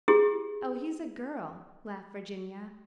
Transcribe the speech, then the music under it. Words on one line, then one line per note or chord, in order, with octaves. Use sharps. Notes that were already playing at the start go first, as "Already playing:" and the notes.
"Oh, he's a girl!" laughed Virginia.
E4 G4 G#4